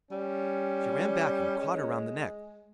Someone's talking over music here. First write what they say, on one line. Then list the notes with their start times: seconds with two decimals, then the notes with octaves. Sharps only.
She ran back, and caught her round the neck.
0.11 G3 C#4
1.58 G#3